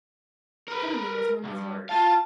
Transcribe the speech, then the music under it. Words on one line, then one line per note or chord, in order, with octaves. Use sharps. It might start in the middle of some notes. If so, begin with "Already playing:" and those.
Heavenly was Wendy's word.
A#4 B4
B1 G2
F4 F5 A5